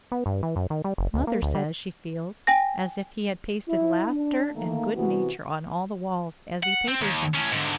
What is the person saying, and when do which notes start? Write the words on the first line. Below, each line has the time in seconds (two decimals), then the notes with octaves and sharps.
Mother says she feels as if he had pasted laughter and good nature on all the walls as he papered them.
0.12 B3
0.26 G2
0.43 E3
0.56 F#2
0.70 D#3
0.84 G3
0.98 F#1
1.14 D2
1.27 A#3
1.42 D2
1.55 G3
2.47 G5 G#5 A#6
3.68 E4
4.07 D4
4.54 D#3 A3 A#3
4.95 C3 E3 B3 F#4
6.63 F#5
6.88 C4
7.02 D#2
7.35 A2 C#4
7.52 G#2 D3